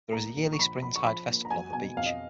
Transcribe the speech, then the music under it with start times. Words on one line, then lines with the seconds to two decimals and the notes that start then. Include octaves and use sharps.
There is a yearly Spring Tide Festival on the beach.
0.13 A#3 A#5
0.36 A#1
0.53 C#6
0.59 F3 B5
0.81 F3 B5
0.96 C#6
1.04 F3 B5
1.28 A#3
1.45 A#5
1.50 F#3 G#5
1.73 B2 G#5
1.97 F2 F5
2.06 D#5